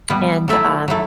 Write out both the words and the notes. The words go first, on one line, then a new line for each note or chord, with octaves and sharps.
and, um
B2 G3 B3
F#3 A3 E4 A4 E5
F#3 A3 E4 A4